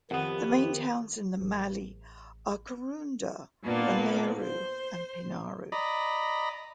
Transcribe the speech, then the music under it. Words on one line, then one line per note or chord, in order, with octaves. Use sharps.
The main towns in the mallee are Karoonda, Lameroo and Pinnaroo.
F2 D#3 F3 B3 G4 F#5
A1
A#2 A#3 B3 D4
C5
D5 D#5 A#5 B5